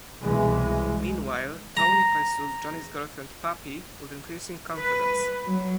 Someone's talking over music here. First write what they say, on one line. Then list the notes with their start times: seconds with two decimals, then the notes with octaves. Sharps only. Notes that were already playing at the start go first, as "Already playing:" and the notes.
Meanwhile, Tony pursues Johnny's girlfriend Poppy with increasing confidence.
0.22 C2 B2 E3 G#3
1.77 A#5
4.78 B4
5.45 F#3